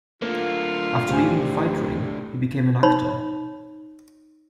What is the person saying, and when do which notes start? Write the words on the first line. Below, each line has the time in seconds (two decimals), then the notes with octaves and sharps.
After leaving the fight ring, he became an actor.
0.22 A2 D3 A#3 F4
1.09 D1 G4 G#5
2.83 D#4 C#5 B5